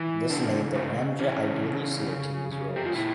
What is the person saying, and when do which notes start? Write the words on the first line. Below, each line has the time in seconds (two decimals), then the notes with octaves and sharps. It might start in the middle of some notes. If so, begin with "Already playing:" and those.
This made the ramjet ideally suited to these roles.
Already playing: E3
0.30 C#3 D4
0.74 C#3 A3
1.19 E3 C#4
1.63 C#3
2.08 C#3
2.52 C#3
2.76 G4
2.86 F4
2.95 A#2 E4